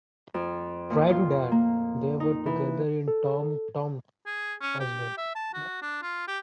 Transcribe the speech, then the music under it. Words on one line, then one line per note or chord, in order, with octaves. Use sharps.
Prior to that, they were together in Tom Tomsk as well.
F2
A#2
F4
A#3
D#4
E3
A4
G#4
C#4
G4
E5
A5
F#4
D4
F4
G4